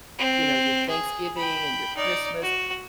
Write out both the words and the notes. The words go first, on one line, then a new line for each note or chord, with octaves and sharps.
you know, your Thanksgiving and your Christmas,
C4
G#4
G5 B5
D#4 D5
F#4